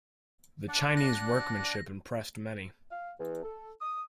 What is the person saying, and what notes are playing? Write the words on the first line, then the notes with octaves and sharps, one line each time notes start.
The Chinese workmanship impressed many.
D4 D5 F#5
A#6
F5
E2
A4
D#6